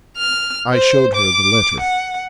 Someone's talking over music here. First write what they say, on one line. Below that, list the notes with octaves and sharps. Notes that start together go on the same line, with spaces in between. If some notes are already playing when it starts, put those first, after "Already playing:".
'I showed her the letter.'
F6
C5
D6
F#5